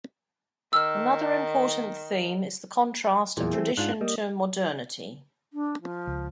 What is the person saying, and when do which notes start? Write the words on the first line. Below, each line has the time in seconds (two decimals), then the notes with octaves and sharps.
Another important theme is the contrast of tradition to modernity.
0.73 D#3 E6 F6
3.37 E2 A#2 E3 G#4
3.53 A3 C4
3.77 G#2 D4 F4 F#6
4.01 G3 A#3 D#5
5.53 D4
5.81 F3
6.07 C#2